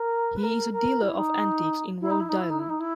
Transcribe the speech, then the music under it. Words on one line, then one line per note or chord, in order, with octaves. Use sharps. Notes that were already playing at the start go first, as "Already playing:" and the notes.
He is a dealer of antiques in Rhode Island.
Already playing: A#4
B4
A#4
A#4
E4
D#4
E4
D#4
E4
D#4
E4
D#4
E4
D#4
E4